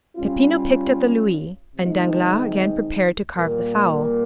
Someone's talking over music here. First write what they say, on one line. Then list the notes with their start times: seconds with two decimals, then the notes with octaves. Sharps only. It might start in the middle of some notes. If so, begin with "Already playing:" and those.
Peppino picked up the louis, and Danglars again prepared to carve the fowl.
0.17 G3 C#4 F4
1.76 C3 D#3 G#3 D#4
3.37 A#2 G3 A#3